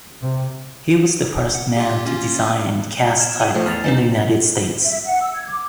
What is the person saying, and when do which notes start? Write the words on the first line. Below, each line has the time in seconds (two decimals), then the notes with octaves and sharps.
He was the first man to design and cast type in the United States.
0.23 C3
1.55 F#5
1.77 F4 G4
2.05 A#3 C#4 F4
3.19 F6 G#6 E7
3.40 F#5 D#7
3.54 F3 A3 C5
3.66 E2 F6 A6 F7
3.84 D4 D#4 B4 G#5
4.84 E5
5.04 F#5
5.21 E6
5.34 G#6
5.47 D6